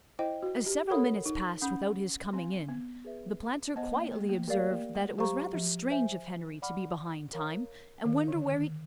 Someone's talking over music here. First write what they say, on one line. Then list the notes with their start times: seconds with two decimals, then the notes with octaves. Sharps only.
As several minutes passed without his coming in, the planter quietly observed that it was rather strange of Henry to be behind time, and wonder where he could be.
0.19 E4 C5 D#5 G5
0.42 F#4
0.66 G4
0.90 A4 A#4 C#5 F#5 B5 D#6
1.26 D#4
1.61 C#4 F#5 B5 D#6 G6
2.33 C4 F5 G#5 C6
2.68 B3
3.05 G#4 B4 E5
3.76 B3 C5 D#5 F#5 A5
3.94 A#3
4.11 A3
4.29 A#3
4.48 A3 G4 A#4 D5 F5
4.71 A#3
4.95 G#3
5.18 F#3 G4 C5 F5 A#5 C#6
5.54 F3
5.90 C5 E5 G#5
6.62 D5 F#5 B5 D6 F6
7.33 A#4 C#5 F5 A#5 D#6
8.04 D#3 A#4 D5 F5
8.28 D3
8.51 D#3